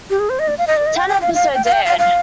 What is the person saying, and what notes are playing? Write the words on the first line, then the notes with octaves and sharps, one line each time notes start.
Ten episodes aired.
G4
G#4
C5
D#5
D5
F5
D#5
D5
D#5
G5
G5
F5
F5
G5
F5
G5
F5
F5